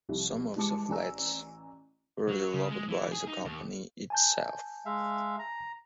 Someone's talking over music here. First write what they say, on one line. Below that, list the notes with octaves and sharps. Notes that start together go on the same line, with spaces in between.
Some of the flats were developed by the Company itself.
C2 F3 G3 E4
E3 G3 G#3 A5 D6 C#7
A1 D5 G#5 A#5 E6
F#3
C#3
G#3
E3
G#4
D#4
D#2
G#5 A5 G6
G#3 E5 F5
A#5